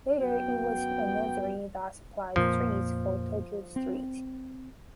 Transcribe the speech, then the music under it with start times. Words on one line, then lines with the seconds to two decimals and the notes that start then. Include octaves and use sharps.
Later it was a nursery that supplied trees for Tokyo's streets.
0.19 F#2 B3 F#4 G5
2.36 F2 A#2 F3 A#3
3.76 C4